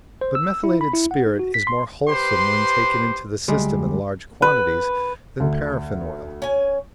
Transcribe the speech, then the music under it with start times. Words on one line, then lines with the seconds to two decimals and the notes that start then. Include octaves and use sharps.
But methylated spirit is more wholesome when taken into the system in large quantities than paraffine oil.
0.21 C5
0.35 E6
0.64 E4
0.81 B5
0.93 E4
1.11 F#5
1.26 D#4
1.39 F#4
1.54 B6
1.67 C6
2.09 G4 B4 C5 C6
3.48 D2 G3 G#3
4.42 B4
5.40 D2
6.42 C#4 G#5